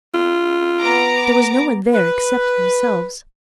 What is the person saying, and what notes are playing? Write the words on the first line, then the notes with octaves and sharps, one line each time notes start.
There was no one there except themselves.
F4
B3 A#5 D6
B4